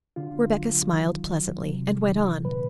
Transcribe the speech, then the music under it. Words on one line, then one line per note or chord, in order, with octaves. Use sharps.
Rebecca smiled pleasantly, and went on.
D3 F4
F#3
D#3
F#3
C3
D#3
A#2 B4